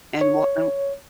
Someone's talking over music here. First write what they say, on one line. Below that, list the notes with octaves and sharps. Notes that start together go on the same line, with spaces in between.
And what no
C#5